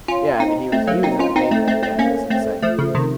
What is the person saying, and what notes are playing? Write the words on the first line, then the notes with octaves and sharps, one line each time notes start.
Yeah, I mean, he was he was an amazing yeah, that's insane.
C#4 F4
C4 D#4
A3 C4
F#3 A#3
C4 D#4
C#4 F4
C4 D#4
A3 C4
A3 C4
A3 C4
A#3 C#4
A3 C4
F3 A3
C#3 F3
C3 D#3